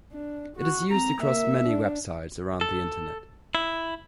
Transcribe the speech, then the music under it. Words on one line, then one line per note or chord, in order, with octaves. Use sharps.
It is used across many websites around the internet.
D4
F#4
C4 A#5
A#3 E5
D4
A4
E4